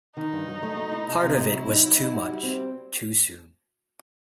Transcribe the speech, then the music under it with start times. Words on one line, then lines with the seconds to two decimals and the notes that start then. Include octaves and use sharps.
Part of it was too much, too soon.
0.17 D#3 D#4
0.33 G2
0.48 F#3
0.63 A3
0.77 A3
0.92 E4
1.07 C3
1.22 C3
1.38 C3
1.53 F#3 E4
1.68 D#4
1.83 F#3
1.98 D#4
2.13 F#4
2.29 G3
2.43 C4